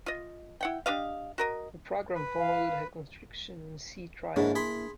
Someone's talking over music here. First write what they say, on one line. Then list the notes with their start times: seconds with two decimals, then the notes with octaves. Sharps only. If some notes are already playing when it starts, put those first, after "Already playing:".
The programme followed her construction and sea trials.
0.06 F4 D#5
0.61 E4 F#5 G5
0.86 D4 G4 D#5 F5
1.38 F#4 A#4 D#5
2.15 B4
2.38 F5
4.36 G#2 C#3 A#3 D4 E4
4.55 G#4 B5 C6